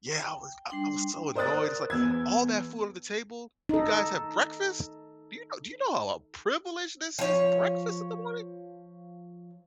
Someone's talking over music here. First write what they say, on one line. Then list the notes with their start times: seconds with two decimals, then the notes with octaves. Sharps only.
Yeah, I was I I was so annoyed, it's like, "All that food on the table, you guys have breakfast? Do you know do you know how a privilege this is, breakfast in the morning?
0.23 G5
0.69 G3 D4 G5 C6
1.35 A#4 C5 D5 D#6 F#6 A6
1.90 E2 E6 G#6
3.69 D#4 A4
7.19 F3 C#5